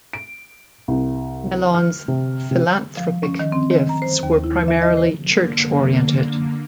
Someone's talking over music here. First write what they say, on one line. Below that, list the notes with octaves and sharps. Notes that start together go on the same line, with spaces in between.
Mellon's philanthropic gifts were primarily church-oriented.
D7
C2
F6
C3
C3
F3
C#4
D#3
C4
D#3
A#5
C5
D#2
E4
E5
D#5
C5
D3 A#3